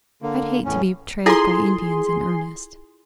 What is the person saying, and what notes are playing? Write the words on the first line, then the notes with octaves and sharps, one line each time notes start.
I'd hate to be trailed by Indians in earnest.
D3 A#3
E2 A2 C#4
E4 F4 G#4 A4 C6